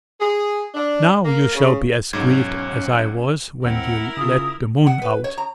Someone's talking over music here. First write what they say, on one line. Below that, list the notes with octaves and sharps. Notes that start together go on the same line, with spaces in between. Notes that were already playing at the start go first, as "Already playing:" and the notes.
'Now you shall be as grieved as I was when you let the moon out.'
G#4
D4
A#3
C#3
B1 G#2 C#4 F#5 G#6
D#2 C4 E4 A#4 F#5
C#3 F4 D#6
F#5
B4
C#5
A#5